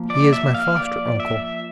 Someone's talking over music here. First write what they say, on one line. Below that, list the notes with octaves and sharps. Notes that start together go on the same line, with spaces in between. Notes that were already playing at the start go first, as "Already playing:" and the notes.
"He is my foster-uncle."
Already playing: F3 A#3
D5
E5
F5
D5
E5